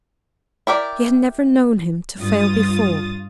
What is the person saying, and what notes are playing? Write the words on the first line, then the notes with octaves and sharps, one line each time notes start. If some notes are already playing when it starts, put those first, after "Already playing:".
She had never known him to fail before.
E4 G4 A#4 D5
G2 F4 D#6 A6